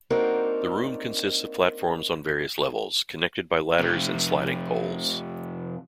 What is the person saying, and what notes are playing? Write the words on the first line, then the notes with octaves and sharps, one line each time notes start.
The rooms consist of platforms on various levels, connected by ladders and sliding poles.
A#3 C4 D4 D#4 F#4 A#4
F2 C3